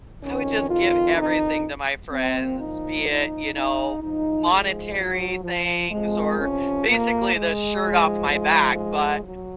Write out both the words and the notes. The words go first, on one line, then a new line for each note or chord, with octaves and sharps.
I would just give everything to my friends, be it, you know, monetary things or basically the shirt off my back, but
F2 D#3 C#4
F4
D#4
A#2 F3 C4
D#4
D#4
D#4
G#2 F3 D#4
G#3
F#3
F3
F2 C3 F3 G#3
C#4
A#3
G#3
G#2 F3
G#3
G#3
F#3